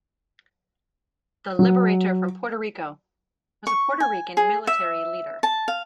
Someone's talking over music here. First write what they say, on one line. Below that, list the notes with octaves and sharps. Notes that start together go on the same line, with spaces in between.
The Liberator from Puerto Rico, was a Puerto Rican military leader.
F#3
C#6
G#5
G#4
E5
A5
F5